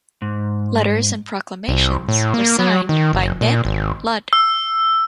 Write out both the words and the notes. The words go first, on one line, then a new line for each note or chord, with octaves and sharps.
Letters and proclamations were signed by "Ned Ludd".
G#2
C2
A2
A#3
F#3
D#3
F#1
A#2
G#1
E6